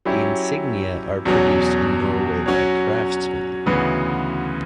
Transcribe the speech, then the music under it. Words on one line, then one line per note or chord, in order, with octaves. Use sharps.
The insignia are produced in Norway by craftsmen.
F#3 C#4 E4 G4
E2 B2 F#3 C#4
F#3 C#4 F#4 C#5
D2 C#3 E3 B3 F#4